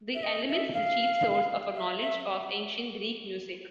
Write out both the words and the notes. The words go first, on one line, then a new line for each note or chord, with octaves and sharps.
The "Elements" is the chief source of our knowledge of ancient Greek music.
E5
D#5
E5
F5
E5
E5